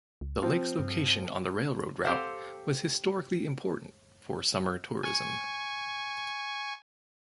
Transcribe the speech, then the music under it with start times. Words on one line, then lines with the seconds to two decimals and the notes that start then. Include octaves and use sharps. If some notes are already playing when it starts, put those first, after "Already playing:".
The lake’s location on the railroad route was historically important for summer tourism.
0.21 C#2
0.43 F3 C4 F4
0.79 G2
2.04 C4 G4 A4 C5 F5 F#5
5.03 G#5 C#6